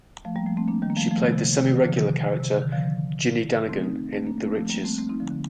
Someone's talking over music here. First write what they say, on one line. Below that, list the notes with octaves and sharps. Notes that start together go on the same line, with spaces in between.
She played the semi-regular character Ginny Dannegan in "The Riches".
F3 A3
G3 A#3
F3 A3
A3 C4
A#3 D4
D#3 G3
A#3
F3 A3
F3 A3
C3 D#3
C3
D3
C3 D#3
D3 F3
C3 D#3
C3
D3
C3 D#3
D3 F3
A3 C4
C4 D#4
A3 C4
A#3 D4
A3 C4
F3 A3
G3 A#3
A3 C4
A3 C4
C4 D#4
D3 F3
D3